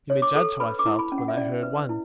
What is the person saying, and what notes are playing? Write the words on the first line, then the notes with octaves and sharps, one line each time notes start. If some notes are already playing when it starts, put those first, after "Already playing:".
You may judge how I felt, when I heard one!
C#5
D6
A4
B4 B5
D6
E4
B5
C#4
F#5
E5
C#4 D5
B4
E4